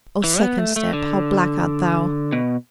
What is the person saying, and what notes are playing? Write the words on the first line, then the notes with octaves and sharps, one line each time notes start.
Oh, second step, how black art thou!
E3
B3
A3
A3
D3
B2